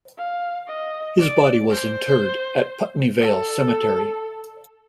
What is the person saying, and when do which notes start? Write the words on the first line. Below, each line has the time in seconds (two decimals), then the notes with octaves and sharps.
His body was interred at Putney Vale Cemetery.
0.18 F5
0.68 D#5
1.19 D5
1.70 C5
3.21 A4